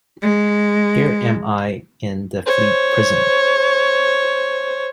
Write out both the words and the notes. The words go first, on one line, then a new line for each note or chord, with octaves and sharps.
Here am I in the Fleet Prison.
G#3
C5 C#5